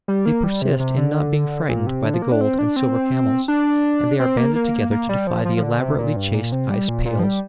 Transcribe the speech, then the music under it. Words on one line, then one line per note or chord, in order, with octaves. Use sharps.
They persist in not being frightened by the gold and silver camels, and they are banded together to defy the elaborately chased ice-pails.
G3
A#3
G3
C3
C3
D3
A#2
C3
D3
F3
A#3
D4
C4
D4
C4
D4
C4
A#3
A#3
A#3
G3
F3
F3
F3
D3
C3
A#2
G2
A#2
C3
G3
A#2
A#2
F3
G3